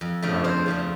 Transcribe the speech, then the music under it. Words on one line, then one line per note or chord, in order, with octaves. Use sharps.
Oh yeah.
F2
C#3 F3 A3 D4
F2 C5
C#3 F3 A3 D4